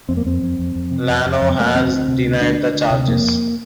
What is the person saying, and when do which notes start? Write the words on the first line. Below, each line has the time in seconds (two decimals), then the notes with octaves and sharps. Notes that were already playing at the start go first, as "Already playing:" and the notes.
Ianno has denied the charges.
0.09 F2 C4
0.17 A#3
0.25 F2 C4
0.42 F2
0.59 F2
0.75 F2
0.91 C3
1.09 F2
1.26 F2
1.42 F2
1.50 C4
1.59 F2 A3
1.66 A#3
1.75 D2 C4
1.91 D2
2.08 C3
2.24 D2
2.41 D2 D4
2.58 D2
2.74 D2
2.90 C3
3.07 F2 A#3
3.24 F2